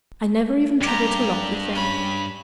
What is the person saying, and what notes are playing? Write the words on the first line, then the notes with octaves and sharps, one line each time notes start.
I never even trouble to lock the thing.
G2 G4 A#5
C#4 B5